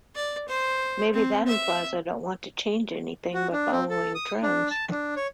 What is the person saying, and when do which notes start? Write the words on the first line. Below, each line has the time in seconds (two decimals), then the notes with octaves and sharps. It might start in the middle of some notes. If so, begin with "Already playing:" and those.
Maybe that implies I don't want to change anything by following trends.
0.15 D5
0.48 C5
1.14 C4
1.47 E5
3.34 F#4
3.52 D4
3.72 C4
3.90 A4
4.15 D#6
4.43 D4
4.70 A5
4.91 D4
5.16 C#5